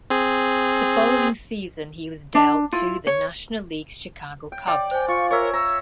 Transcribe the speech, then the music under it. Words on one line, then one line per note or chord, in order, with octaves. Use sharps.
The following season he was dealt to the National League's Chicago Cubs.
C4 G#4
D4
E4 F4
C#5
G5
D5 G5
C5 G5 G#5
F4 C#6
A#4 C#5 E5
A#5 E6